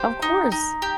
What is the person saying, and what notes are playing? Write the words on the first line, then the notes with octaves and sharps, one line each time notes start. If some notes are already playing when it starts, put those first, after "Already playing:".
Of course.
Already playing: G4 C5
D#4
D#4
G4